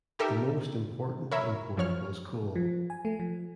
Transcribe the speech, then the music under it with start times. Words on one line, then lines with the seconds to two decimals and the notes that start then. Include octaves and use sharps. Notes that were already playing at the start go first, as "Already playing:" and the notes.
The most important import was coal.
0.19 D#4 G4 A4 A#4 E5
1.32 A#4 C#5 E5 B5
1.77 F#2 F3 C#5 F6
2.56 F3
2.90 G#5
3.05 A3
3.20 F3